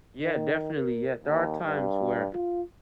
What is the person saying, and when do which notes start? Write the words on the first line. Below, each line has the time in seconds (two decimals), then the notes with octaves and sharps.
Yeah, definitely. Yeah, there are times where
0.22 D#3
0.74 A#4
1.23 D#2
1.64 G2
2.34 F4